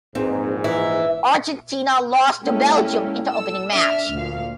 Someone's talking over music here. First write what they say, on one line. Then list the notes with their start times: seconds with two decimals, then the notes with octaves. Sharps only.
Argentina lost to Belgium in the opening match.
0.15 A#1 E2 G#2 C4 D#4
0.64 E3 E5
2.44 G#3 A#3 C#4 E4 G4 A4
3.28 A4 E6
3.71 D4 E5 F6
4.13 D2 A#2 F5